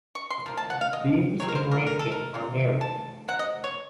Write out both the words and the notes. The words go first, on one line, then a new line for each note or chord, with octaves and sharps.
Vimes and Ramkin are married.
C#6
C6
F3 A#3 F4
A5
F#5
F5
D#5
F#3 A3 C4 D#4 C#5
A#4
C5
A#4
A#4
A4
A#4
C#3 F#3 C4 F4
A5
F#3 C4 F#5
D#5
C#5